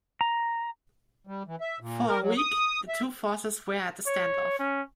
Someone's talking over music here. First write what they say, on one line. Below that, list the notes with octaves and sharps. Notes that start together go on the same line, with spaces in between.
For a week the two forces were at a standoff.
A#5
G3
E3
E5
A#2
A#4
F#3
D#6
E5
C#5
C#4